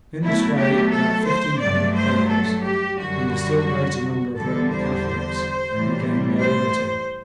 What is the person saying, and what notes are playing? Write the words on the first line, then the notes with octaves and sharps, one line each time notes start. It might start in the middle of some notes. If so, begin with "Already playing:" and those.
In this way about fifteen hundred Quakers, and a still greater number of Roman Catholics, regained their liberty.
B2 F#3 A3 E4
G4
A4
C5
G2 F#3 A3 D5
C5
A4
G4
F#2 D3 G3 F#4
E2 D3 G3 A4
C5
A2 E3 G3
C5